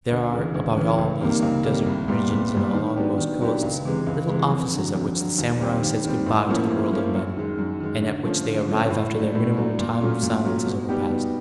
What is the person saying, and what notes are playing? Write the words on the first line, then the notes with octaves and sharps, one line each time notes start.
There are, about all these desert regions and along most coasts, little offices at which the samurai says good-bye to the world of men, and at which they arrive after their minimum time of silence is overpast.
D2
C#3 E3
D2
C#3 E3
C#2
C3 D#3 G3 A#3
C#2
C3 D#3 G3 A#3
C2
A#2 G3 B3
C2
A#2 G3 B3
D#3
F#3 B3 D4 G4
D#3
F#3 B3 D4 G4
C#2
C3 E3 G#3
C#2
C3 E3 G#3
F2
D3 F#3
F2
D3 F#3
D#2
D#3 G3 C4
D#2
D#3 G3 C4
A2
F3 A#3 C#4 E4
A2
F3 A#3 C#4 E4
F#2
D#3 G#3
F#2
D#3 G#3
D3
F3 A3 C#4
D3
F3 A3 C#4
A2
F#3 A3 D4
A2
F#3 A3 D4
A#2
F#3 A3 C#4 F4
A#2
F#3 A3 C#4 F4
B2
G3 B3 D#4 G4
B2